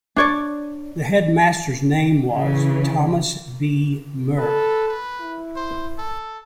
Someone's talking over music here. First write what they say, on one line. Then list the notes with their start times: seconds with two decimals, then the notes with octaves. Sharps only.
The headmaster's name was Thomas B Muir.
0.16 D4 C#5 D5
2.35 C#3 E3
4.38 A4 B4
4.88 B4
5.20 E4
5.56 C5
5.98 A4